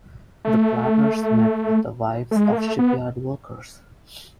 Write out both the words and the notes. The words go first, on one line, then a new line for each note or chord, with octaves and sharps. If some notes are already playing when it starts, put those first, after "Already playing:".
The planners met with the wives of shipyard workers.
A3
A3
G#3
A#3
A3
B3